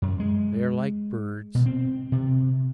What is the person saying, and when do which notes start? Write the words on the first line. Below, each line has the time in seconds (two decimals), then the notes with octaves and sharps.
They are like birds.
0.02 F#2
0.20 G#3
1.55 B2
1.66 C4
2.12 C3